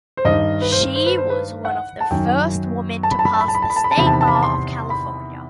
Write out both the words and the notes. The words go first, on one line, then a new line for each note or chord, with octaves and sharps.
She was one of the first woman to pass the State Bar of California.
C5
G2 D#3 D#5
B4
C5
C5
C5
B4
C5
B4
F#5
A5
F#2 D#3 G5
A5
B5
A5
B5
A5
B5
A5
B5
A5
B5
A5
B5
A5
E2 C3 D#3 B5
A5
B5
A5
B5
A5
C6
B5